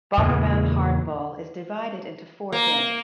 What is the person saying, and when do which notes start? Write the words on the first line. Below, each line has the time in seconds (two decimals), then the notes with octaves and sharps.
Bomberman Hardball is divided into four games.
0.17 E2 A#2 C#3 E3
2.52 A#3